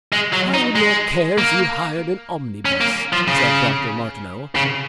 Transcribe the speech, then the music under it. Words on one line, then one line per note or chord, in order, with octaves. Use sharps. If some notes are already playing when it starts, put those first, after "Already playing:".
I would not care if you hired an omnibus, said Dr. Martineau.
G#3
F#3
D#4
G#3
A#3
C#4
A#3
F3
C#3
C#3